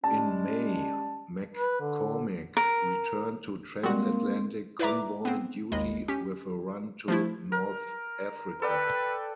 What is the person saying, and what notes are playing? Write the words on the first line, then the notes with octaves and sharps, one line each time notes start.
In May, "McCormick" returned to transatlantic convoy duty with a run to North Africa.
G3 G#3 C#4 A5
B4
D3
A#4
G3 G#3 A#3 C4 F#4
E4 B4 D5 E5 A#5 D6
B3 C4
G#1 D#2 G#3 D#5 B5
C#4 G4
F3 A3 E4
A#4
A4 B4 D5 G5